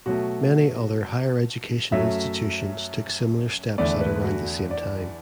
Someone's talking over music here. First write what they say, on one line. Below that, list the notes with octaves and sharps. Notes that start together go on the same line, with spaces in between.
Many other higher education institutions took similar steps at around the same time.
B2 F#3 A3 F#4
F#2 F#3 A3 E5
E2 D3 A3 D5
B4
F#4
D5